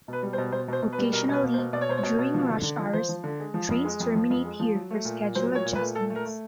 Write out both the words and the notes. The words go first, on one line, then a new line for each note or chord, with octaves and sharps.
Occasionally, during rush hours, trains terminate here for schedule adjustments.
B2 B4
G3
C5
B2
B2 C5
B2 C5
B2
B4
G3
B2 A#4
B2 B4
A#3
C5
B2
B2 D5
C#5
B2 C5
C#5
B2
B2
F3
D3
D3
F3
F3 C5
F3
D3
G#3
F3
F2
G#3
F2
F3
F2
G#3
F3
F#3
A3
A#2
A#2
F#3 C5
A#2 C#5
A#2
B4
A3
A#2 A4
A3
A#4
A3